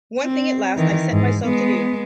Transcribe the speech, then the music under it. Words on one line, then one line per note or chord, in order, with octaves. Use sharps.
One thing at last I set myself to do.
C4
D#3 E3
G#2
G#3 B3